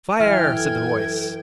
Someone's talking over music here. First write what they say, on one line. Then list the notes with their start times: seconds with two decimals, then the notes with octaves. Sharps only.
"Fire!" said the voice.
0.20 F#2 E3 G5 F6
0.56 A4 G#6